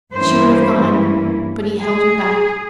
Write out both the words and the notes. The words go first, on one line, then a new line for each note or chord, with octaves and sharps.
She would have gone, but he held her back.
G2 E3 A#3 C#4 E4 C5
G#4